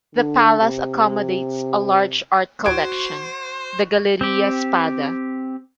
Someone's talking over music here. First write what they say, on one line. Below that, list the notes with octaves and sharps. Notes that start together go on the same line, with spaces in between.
The palace accommodates a large art collection, the Galleria Spada.
D3
C3
F#4 C5 G#6 D7
C4 G4